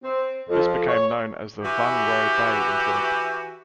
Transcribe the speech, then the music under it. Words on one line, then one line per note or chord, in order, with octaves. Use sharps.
This became known as the Vung Ro Bay Incident.
C4
F2
C#5
E3 F#4 G4